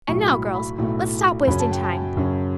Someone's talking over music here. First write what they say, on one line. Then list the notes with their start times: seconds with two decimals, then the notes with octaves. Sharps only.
And now, girls, let's stop wasting time.
0.08 B1 A2 F#3 A3 C#6
0.31 B5
0.54 B5
0.78 B1 A2 F#3 A3
1.47 F#2 C#3 F#3 C#4 B5
1.60 A5
1.71 G5
1.84 A5
2.17 F#2 C#3 F#3 C#4